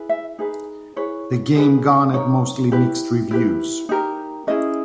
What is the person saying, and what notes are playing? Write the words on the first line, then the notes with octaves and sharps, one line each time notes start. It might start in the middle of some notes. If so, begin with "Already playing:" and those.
The game garnered mostly mixed reviews.
Already playing: E4 G#4 B4
E5
D#4 G#4 B4
E4 G#4 B4 C#5
D#4 G#4 B4
D#4 A#4 C#5
E4 G4 B4
E4 G4 B4
D#4 G4 A#4
C#4 E4 G#4 D#5